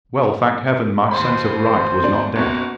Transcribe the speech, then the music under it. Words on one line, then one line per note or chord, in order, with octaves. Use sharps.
Well, thank Heaven! my sense of right was not dead.
D#2 C5 B5
B2 D4
F#1 B2 F#4